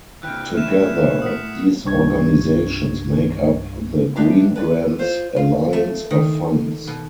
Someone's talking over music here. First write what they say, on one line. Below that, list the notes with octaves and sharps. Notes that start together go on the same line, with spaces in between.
Together, these organizations make up the Greengrants Alliance of Funds.
C3 E3 G5 F6 F#6
A2 E4 F6 E7
F#5 D#6 B6
C2 G2 C#6 G#6
G#3 B3 D4 E4 G4 G#4
B4 D5
F4 C5
F4
A3
D#3
B2